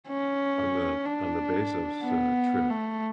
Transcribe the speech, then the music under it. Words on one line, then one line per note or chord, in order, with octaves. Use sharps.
o on the on the Bezos, uh, trip.
C#4
D4
B3
A3